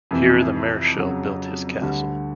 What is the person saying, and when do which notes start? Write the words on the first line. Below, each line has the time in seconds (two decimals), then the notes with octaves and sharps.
Here the Marischal built his castle.
0.11 F2 C3 E3
0.96 F2 C#3 F#3
1.82 D2 D3 G3